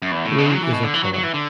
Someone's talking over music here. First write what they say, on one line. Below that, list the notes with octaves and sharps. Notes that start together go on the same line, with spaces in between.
Blue is a colour.
F#2
E2
A2
B2
F#3
E3
B2
D3
E3
F#3
F#3
E3
D3